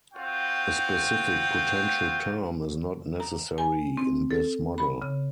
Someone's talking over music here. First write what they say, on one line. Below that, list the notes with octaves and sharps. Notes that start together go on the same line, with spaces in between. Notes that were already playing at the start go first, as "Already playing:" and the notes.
A specific potential term is not necessary in this model.
C4 F4 F#4 G5
A#5
G#5
C4
A4
B5
C#3